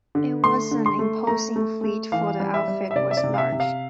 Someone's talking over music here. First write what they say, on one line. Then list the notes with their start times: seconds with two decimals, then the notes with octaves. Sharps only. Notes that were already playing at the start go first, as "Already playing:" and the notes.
It was an imposing fleet for the outfit was large.
0.15 D3
0.43 A3 C6
0.71 D3
0.86 C6
0.99 A3
1.27 A3 A#5
1.56 A3
1.84 A3
2.12 E3 F5
2.40 G3
2.54 E5
2.68 G3
2.91 E5
2.95 C3 D5
3.11 E5
3.17 D5
3.24 C3
3.34 F5
3.38 E5
3.52 C3
3.60 F5